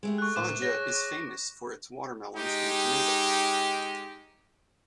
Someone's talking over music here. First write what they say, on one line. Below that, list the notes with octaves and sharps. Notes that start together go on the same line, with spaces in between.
Foggia is famous for its watermelons and tomatoes.
G#3 A3 G4
C#6 F#6
D2 A2 A#3 D6
G#4 C#5 A#6
G#3 D#4 G4